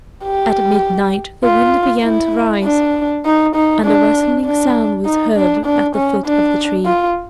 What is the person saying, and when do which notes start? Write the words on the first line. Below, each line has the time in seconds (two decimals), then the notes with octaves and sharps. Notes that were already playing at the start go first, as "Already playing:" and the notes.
At midnight the wind began to rise, and a rustling sound was heard at the foot of the tree.
0.24 G4
1.44 F4
2.04 E4
2.65 D4
3.26 D#4
3.56 D#4
3.85 D4
4.45 D4
5.06 D#4
5.36 D4
5.66 D4
5.95 C#4
6.26 D4
6.86 F4